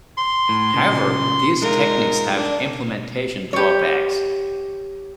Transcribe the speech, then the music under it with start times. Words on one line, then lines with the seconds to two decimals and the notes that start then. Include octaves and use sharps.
However, these techniques have implementation drawbacks.
0.17 C6
0.49 A2
0.74 A#2 C#3
1.62 G#3 D#4 F4 A#4
2.36 D4
3.53 G4 C#5